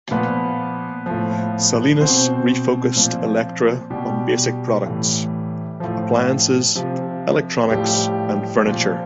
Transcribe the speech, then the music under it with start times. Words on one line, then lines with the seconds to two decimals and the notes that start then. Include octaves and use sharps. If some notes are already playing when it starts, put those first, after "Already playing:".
Salinas refocused Elektra on basic products: appliances, electronics, and furniture.
0.11 A#2 F3 B3 B4
1.06 A2 F3
2.00 B2 C4 C5
2.96 A#2 F3
3.90 B2 G3 G4
4.86 A2 E3
5.80 A2 F3
6.75 C3 F3
7.70 A2 F3 G3 G4
8.66 A#2 F3